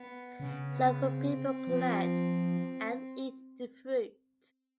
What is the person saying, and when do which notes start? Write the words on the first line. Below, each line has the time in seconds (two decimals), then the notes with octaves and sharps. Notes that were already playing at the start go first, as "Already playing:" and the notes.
Local people collect and eat the fruit.
Already playing: B3
0.40 C#3
0.71 B3
1.03 C4
1.67 F3